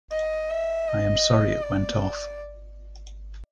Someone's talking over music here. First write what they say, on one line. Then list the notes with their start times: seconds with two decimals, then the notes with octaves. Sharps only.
I am sorry it went off.
0.12 D#5
0.50 E5
0.87 D#5
1.62 D5